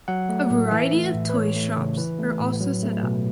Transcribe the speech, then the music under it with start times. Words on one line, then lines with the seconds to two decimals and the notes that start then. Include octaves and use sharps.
A variety of toy shops are also set up.
0.08 F#3 F#5
0.29 A3
0.50 A2
0.71 E3 E5
0.93 A3
1.14 A2
1.29 B4
1.34 E3 C#5
1.56 A3
1.76 C#3
1.97 E3 B4
2.19 A3
2.40 A2
2.60 F#3
2.83 A3
3.03 B2